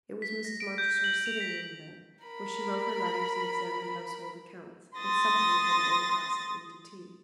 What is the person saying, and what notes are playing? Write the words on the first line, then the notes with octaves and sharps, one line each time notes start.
It was Mrs. Montressor's sitting-room then, where she wrote her letters and examined household accounts, and sometimes had an old gossip in to tea.
B6
A#6
D7
G6
F#7
F7
B6
A#4 B5
C6 D#6 A6 A#6